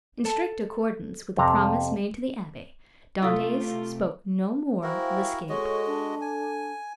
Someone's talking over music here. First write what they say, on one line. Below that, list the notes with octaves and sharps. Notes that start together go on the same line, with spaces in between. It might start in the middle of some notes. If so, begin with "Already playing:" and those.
In strict accordance with the promise made to the abbe, Dantes spoke no more of escape.
A4
F2 C3 A#5
C3 A3 E4 F4 A4 F5 D#6 E6
E4 F#4 A#4 C5 F5 G5 G#5
G#3 F#4 A4 C#5 D#5
D4
G#5